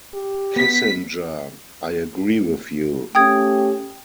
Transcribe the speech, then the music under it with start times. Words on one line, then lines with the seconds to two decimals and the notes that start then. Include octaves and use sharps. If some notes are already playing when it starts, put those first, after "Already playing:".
Kissinger: I agree with you.
0.14 G4
0.56 B3 B6
3.15 A3 C#4 G4 G5 D#6 G#6